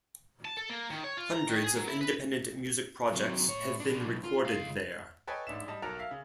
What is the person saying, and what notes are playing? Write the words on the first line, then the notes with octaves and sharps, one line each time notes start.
Hundreds of independent music projects have been recorded there.
A5
A4
A#3
D#3
C#5
F4
A#5
D#3
G#4
F#3
E4
B4
C3 F#3
A2 C#5
A#2 D4
B1
F4
C#2 F5
A4 B4 C#5 D#5 G5 G#5
A1 G#2 D4 E5 E7
G3 D#5 A5 E7
B1 F#4 A4 A#4 A#5 F7
E5 F5 F6
C#3